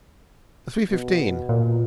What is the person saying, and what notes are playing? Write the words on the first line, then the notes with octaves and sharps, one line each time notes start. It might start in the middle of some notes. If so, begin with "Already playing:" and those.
'The three-fifteen.'
B2
A#2